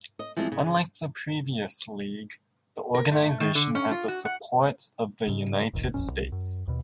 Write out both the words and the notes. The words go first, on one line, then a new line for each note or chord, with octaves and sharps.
Unlike the previous League, the organization had the support of the United States.
D#5
E3 F3 G3 G#3 C4
C#3
A#4
A3
D#3
D3
C#4
F4
F#4
F#5
G#2 C#3
F1 A#1 D#2
D#1 A1 F2 C#4
C2
F#2
D#2 B2